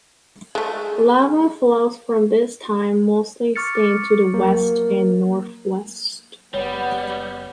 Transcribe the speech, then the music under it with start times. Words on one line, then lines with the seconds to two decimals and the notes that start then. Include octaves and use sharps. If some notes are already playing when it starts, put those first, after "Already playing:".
Lava flows from this time mostly extend to the west and northwest.
0.55 G#3 A3
3.56 C#6 D6 F6 A6 C#7
4.33 F#3 A#3 A#4
6.54 F#1 G3 B3 C#5